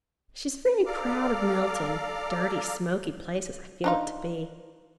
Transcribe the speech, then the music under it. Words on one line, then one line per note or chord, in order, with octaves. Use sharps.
She is very proud of Milton; dirty, smoky place, as I feel it to be.
A4 D5 F5 A#5 D6 F6
D4 D#4 F4